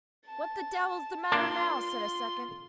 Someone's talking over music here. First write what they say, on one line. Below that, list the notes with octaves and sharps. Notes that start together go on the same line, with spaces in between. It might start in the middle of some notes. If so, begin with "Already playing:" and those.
"What the devil's the matter now!" said a second.
A5
A#3 D4 F4 A5 C6